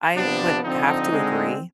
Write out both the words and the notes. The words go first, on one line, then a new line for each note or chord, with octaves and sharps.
I would have to agree
C3 F3 B3 D4
D3 F3 C4 D#4
D3 G#3 C4